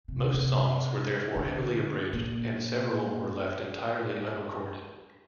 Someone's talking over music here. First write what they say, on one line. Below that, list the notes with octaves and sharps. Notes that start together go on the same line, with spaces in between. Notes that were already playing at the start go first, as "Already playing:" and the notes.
Most songs were therefore heavily abridged and several were left entirely unrecorded.
C3
C3
D3
A#2